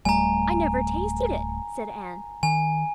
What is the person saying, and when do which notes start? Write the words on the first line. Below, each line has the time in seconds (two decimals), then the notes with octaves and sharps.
"I never tasted it," said Anne.
0.05 D1 G3 A3 G#5 A#5
2.43 D#3 G#5